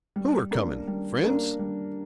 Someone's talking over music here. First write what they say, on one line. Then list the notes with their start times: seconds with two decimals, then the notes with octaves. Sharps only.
'Who are coming--friends?'
0.16 G3
0.51 A#3 D4 A#4
0.88 G3
1.23 A#3 D4 A#4
1.59 G3